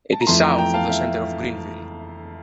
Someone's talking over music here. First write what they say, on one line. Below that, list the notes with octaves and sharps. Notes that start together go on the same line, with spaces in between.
It is south of the center of Greenville.
A5
A#5
F2 E3 A3 A5 C6
G5 A#5
G5 A#5
F5 A5
E5 G5